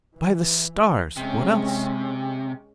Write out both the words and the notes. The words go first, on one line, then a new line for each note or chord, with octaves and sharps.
By the stars, what else?
E3
C3 G#3 C#4